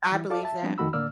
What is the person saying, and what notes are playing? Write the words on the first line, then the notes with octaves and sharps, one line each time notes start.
I believe that.
E3 E4
F4 A4 D5 F5 A5 D6
E5 A5
F3 G3 B3 C4 D4
F2 D#3 A3 F#4 B5 E6
A2 D3 A#3 D5 E6 F6